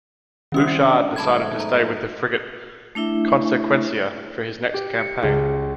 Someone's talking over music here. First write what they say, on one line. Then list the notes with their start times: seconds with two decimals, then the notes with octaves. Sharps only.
Bouchard decided to stay with the frigate "Consecuencia" for his next campaign.
0.52 D#3 G3 C4 C#4 E4 D#6
0.85 D4
1.16 B1 G#2 A3 A5 B5 G#6
1.60 A#5
2.95 A3 D4 E4 E5
4.74 G4
4.98 C#7
5.22 C#2